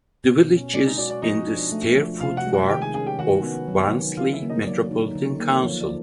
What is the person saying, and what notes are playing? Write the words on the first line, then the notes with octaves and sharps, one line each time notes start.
The village is in the Stairfoot ward of Barnsley Metropolitan Council.
B2
C#4
G#3 D5
D#4 D#5
F#4 D5
D5
F3 D#4 D#5
D4
A3
F3
C3 F4 F5
F#4 F#5
G#3
F#4 F#5
D#3 G4 G5
G#4 G#5
C#4 G#4 G#5
G4 G5
D#3 F#4 F#5
B3
F#3
D#3
C#3 F4 F5
E4 E5
A#3
D#4 D#5
F#3 D5
D#4
D3
A#3
F3 C#5
D5